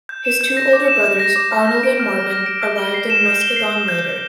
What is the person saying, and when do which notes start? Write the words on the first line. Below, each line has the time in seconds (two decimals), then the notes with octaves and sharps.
His two older brothers, Arnold and Marvin, arrived in Muskegon later.
0.09 G6
0.25 E7
0.41 G6
0.57 A#6
0.73 D6
0.88 E7
1.04 G6
1.19 A#6
1.36 D6
1.52 F6
1.68 A#6
1.83 D7
2.00 F6
2.14 F6
2.31 A#6
2.46 D7
2.62 F6
2.78 G7
2.94 C7
3.10 E7
3.25 G6
3.41 G7
3.56 C7
3.73 E7
3.88 G6
4.04 G6